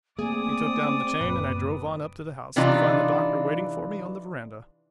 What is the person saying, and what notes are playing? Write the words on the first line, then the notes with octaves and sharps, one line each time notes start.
He took down the chain and I drove on up to the house, to find the Doctor waiting for me on the veranda.
A3 A#3 C4 G#4 D5 D#6
F#1 A#2 B4
C3 E3 D4 D#4 F4